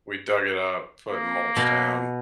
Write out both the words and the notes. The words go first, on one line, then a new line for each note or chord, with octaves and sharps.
we dug it up, put mulch down,
A#3
B2